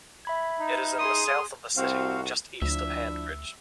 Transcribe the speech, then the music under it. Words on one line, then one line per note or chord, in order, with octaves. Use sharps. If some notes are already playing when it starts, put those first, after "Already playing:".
It is in the south of the city, just east of Handbridge.
E5 B5 G#6
D#4
G#4 C6 D#6
C2 C4 F#4 F5
D2 F3 D4 E4 E5